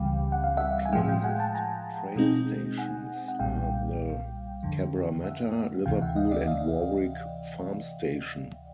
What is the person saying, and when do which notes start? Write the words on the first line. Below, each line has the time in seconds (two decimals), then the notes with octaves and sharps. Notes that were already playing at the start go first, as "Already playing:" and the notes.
The closest train stations are the Cabramatta, Liverpool and Warwick Farm station.
Already playing: C#2 C#3 E3 G3 C4 F5 G5
0.32 F#5
0.44 F5
0.57 E5 F#5
0.85 G#5
0.93 A2 F3 G#3 F5 G5
1.09 F5 G5
1.24 F#5 G#5
1.39 G5 A5
1.55 G#5 A#5
2.16 B2 G#3 C4 D#4
2.78 F#5 G#5
3.28 F#5
3.39 B1 A#2 G3 F5 G5
4.63 F2 D3 F3
5.24 E5 F#5
5.86 D2 C3 E3 F5 G5
6.01 E5 F#5
6.16 D#5 F5
6.31 D5 E5
6.48 D#5 F5